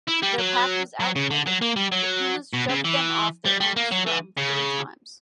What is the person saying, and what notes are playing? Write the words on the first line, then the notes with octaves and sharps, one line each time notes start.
Their pack was outplayed; the Pumas shoved them off their own scrum three times.
E4
G3
F#3
F#3
C#3
D3
F#3
A#3
G3
F#3
B2
C#3
E3
G3
G3
A#3
F#3
E3
C#3